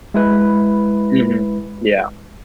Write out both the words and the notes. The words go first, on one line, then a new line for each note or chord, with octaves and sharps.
Mhm, yeah.
G#3 E4 B4